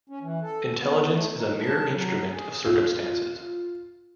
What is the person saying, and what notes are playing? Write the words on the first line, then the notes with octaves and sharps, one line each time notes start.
Intelligence is a mere instrument of circumstances.
C#4
E3
A4
B3
A3
D#4
A5
F#3
G#4
F4